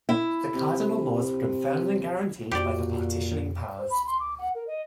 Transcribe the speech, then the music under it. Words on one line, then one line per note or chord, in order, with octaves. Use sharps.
The Cardinal Laws were confirmed and guaranteed by the partitioning powers.
E4
C3
F2 A#2 F#4 G4 D5
C5
B5
C6
D6
F#5
A#4
D#5